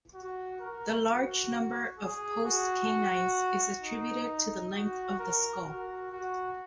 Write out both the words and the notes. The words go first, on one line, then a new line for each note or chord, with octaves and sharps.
The large number of postcanines is attributed to the length of the skull.
F#4
A#4
F#4
G#4
F#4
D#4
F#4
A#4
F#4
F#4